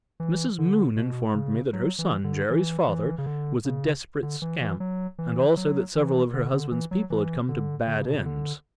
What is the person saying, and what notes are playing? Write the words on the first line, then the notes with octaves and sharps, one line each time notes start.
"Mrs. Moon informed me that her son--Jerry's father--was a desperate scamp, and also that several of her husband's people had come to bad ends."
E3
D3
B2
C#3
F#3
E3
D3
E3
E3
C#3
D3
C#3
D3
E3
E3
F#3
E3
F#3
E3
D3
D3
E3
F#3
E3
D3
D3
C#3
B2
C#3
D3